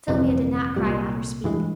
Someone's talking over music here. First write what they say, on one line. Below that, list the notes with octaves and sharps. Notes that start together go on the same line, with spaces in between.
Sylvia did not cry out or speak.
G1 F2 C3 E3
C2 A#2 G3
G2 E3 G#3